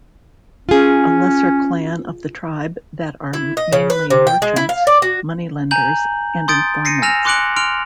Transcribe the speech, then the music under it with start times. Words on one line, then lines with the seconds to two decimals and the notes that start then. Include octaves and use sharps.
A lesser clan of the Tribe that are mainly merchants, money lenders and informants.
0.69 C#4 F4 G#4
3.33 E4
3.57 D#5
3.73 C#3
3.90 B4
4.10 C3
4.27 G5
4.42 G#3
4.56 E4
4.69 F5
4.87 D5
5.02 F#4
5.71 G#5 A#5 G6 F#7
6.48 C6 D#6 G6 A6 D7
6.85 A#6 C7 C#7 D#7
7.02 G#5 E6 F6 A#6 E7 F7
7.25 C6 D6 F#6 C#7 D7 F#7
7.56 C6 F6 D7 F7